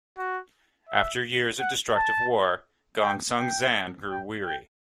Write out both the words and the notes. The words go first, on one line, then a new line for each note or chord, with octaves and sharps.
After years of destructive war, Gongsun Zan grew weary.
F#4
E5
F#5
A5
G5
G5
G5
G5